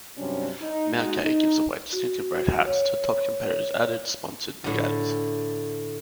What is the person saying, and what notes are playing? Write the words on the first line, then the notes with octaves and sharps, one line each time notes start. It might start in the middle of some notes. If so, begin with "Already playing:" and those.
Mount Gay gives away distinctive red hats to top competitors at its sponsored regattas.
G2 C3 F#3 G3 C#4 D4
D#4
G#3 D#4 F#4
D#4
F#4
C#5
A2 D3